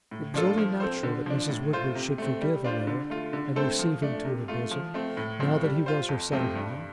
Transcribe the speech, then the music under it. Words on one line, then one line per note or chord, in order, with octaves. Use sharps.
It was only natural that Mrs. Woodward should forgive Alaric and receive him to her bosom, now that he was her son-in-law.
A2
F3 D4 F4 A4
F3
C4 A4 C5
D3
F3 D4
A2
A3 F4 C5
C3
A3 C4
G3
D4 F4 C5
D3
A3 F4
D3
A3 C4 A4 C5
F3
A3 D4
C3
A3 F4
F3
A3 C4
A2
F3 A3 C4
G3
F4 C5
F2
C3 F3 A3 C4
G2